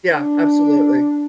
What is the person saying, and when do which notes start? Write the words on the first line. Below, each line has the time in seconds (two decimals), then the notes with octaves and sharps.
Yeah, absolutely.
0.12 D4